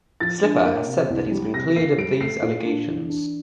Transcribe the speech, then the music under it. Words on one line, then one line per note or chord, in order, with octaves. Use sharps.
Slipper has said that he has been cleared of these allegations.
F3 A6
D4
A#3
C3
C2
G3
C3 A#6
A#3 C7
G3 D7
A3 C7
A#2
D4
E3
D4